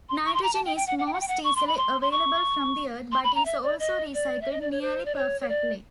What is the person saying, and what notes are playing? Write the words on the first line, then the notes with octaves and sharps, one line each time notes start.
Nitrogen is most easily available from the Earth, but is also recycled nearly perfectly.
C6
C#6
C6
A#5
A5
G5
G5
F#5
F#5
G5
F#5
G5
F#5
C#6
C6
B5
C6
C6
C#6
C6
B5
A#5
E5
D5
D#5
D5
E5
D#5
D5
C#5
C5
D5
C#5
C#5
D5